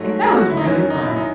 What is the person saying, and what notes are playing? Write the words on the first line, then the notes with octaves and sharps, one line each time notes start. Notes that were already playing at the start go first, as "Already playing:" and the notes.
"Like, that was really fun!"
Already playing: G#2 F#3 A3
G#4
F#4
E4
D#4
F#2 D#3 F#3 C#4
C#4
D#4
E4
D#4